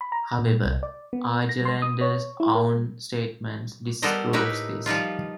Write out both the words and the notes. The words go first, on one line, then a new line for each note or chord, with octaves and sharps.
However, Argelander's own statement disproves this.
B5
A#5
A#2
C2
D5
B3
A#6
C6
D#6
C#5
E4
A#4
G3 B3 A4 A#4 C5 D#5
A2 D#4 G4 A#4 B4 E5
F3 G3 D#4 F4